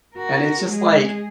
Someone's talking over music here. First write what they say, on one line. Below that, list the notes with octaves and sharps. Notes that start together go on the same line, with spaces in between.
and it's just like
F#4 A#4
G#3 G#4